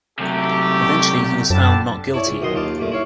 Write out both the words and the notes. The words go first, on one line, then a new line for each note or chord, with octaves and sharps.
Eventually he was found not guilty.
C3 F#3 A3 G4
F#2 D3 G3 A5
E4 C#5 D5
C#2
B1 B2 D#3 D#5 C6
D#2 F4 A5 D6
G2 A#2 A3
E4 C#5 F5